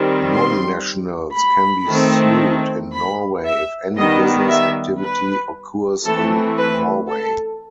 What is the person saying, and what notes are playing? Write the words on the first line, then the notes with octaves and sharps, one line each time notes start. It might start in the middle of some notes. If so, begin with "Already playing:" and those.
Non-nationals can be sued in Norway if any business activity occurs in Norway.
Already playing: D#3 G3 C4
C6
B5
D#3 A3 C4
B5
E5
D#3 G3 B3 D#5
E5
B4
E3 A3 C4 A4
B4
A4